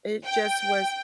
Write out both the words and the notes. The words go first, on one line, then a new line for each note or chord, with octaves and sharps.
it just was
G5